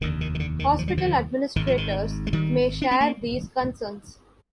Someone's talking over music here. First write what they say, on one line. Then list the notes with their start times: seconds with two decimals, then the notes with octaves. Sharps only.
Hospital administrators may share these concerns.
0.01 F1 D#2 D3 D#3
0.21 D#3
0.35 D#3
0.40 D3
0.59 D#3
0.79 F3
0.88 G3
0.97 D3 F3
1.56 G#1 G#2 D#3
1.67 F3
1.78 D#3
2.27 G#3
2.33 D#3 G3
2.82 D4
2.91 C4
3.01 A#3